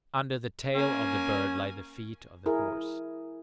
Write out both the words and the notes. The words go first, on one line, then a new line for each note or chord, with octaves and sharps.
Under the tail of the Bird lie the feet of the Horse.
A#3 C#4 G#5
E4 G#4 A#4